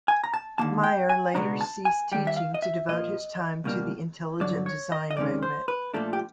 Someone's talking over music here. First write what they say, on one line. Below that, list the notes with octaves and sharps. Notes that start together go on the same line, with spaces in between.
Meyer later ceased teaching to devote his time to the intelligent design movement.
G#5
A#5
A5
D#2 D3 F3 A#3 A5
G5
G#5
C#2 B2 G#3 B3 D4 A#5
A5
G#5
D#2 D#3 G3 G5
E5
F5
D#5
E5
A#2 F3 A#3 D#5
C#2 B2 G3 A#3 D4
G2 D3 F#3 D5
C#5
D#5
D#5
F2 C3 D#3 G#3 C#4 D5
C5
B4
A#2 F3 A3 D4 A4
G4